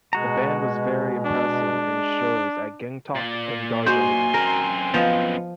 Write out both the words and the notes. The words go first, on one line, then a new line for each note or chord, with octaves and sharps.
The band was very impressive in shows at gangtok and darjeeling.
B2 G#3 F#4 A#5
D4
A#2 D5
D#4 F#4 C5 G#5 C6
F#2 C4 A#4
F3 B3 F4 D#5